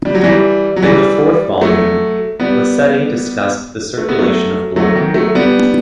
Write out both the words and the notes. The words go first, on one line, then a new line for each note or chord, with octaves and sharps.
In the fourth volume, Liceti discussed the circulation of blood.
G3
F#3
E3 G3
F#3
E3 G3
F#3 A3
G3 B3
A3
B3
F#3 A3
F#3 A3
D#3 F#3
F#3 A3
G3 B3